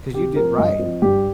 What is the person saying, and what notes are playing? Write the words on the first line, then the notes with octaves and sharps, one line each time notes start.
'Cause you did right.
C3 G4
F3 C4 A#4
G2 D#5
F3 C4
G2 G4